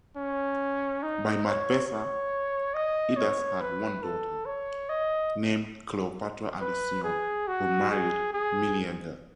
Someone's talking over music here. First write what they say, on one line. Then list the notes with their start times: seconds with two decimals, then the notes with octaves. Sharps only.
By Marpessa, Idas had one daughter named Cleopatra Alcyone who married Meleager.
0.17 C#4
1.03 D#4
1.45 C#5
1.88 C#5
2.74 D#5
3.17 C#5
3.61 B4
4.03 A4
4.46 C#5
4.89 D#5
6.61 B4
7.04 G#4
7.47 F#4
7.91 G#4
8.33 G#4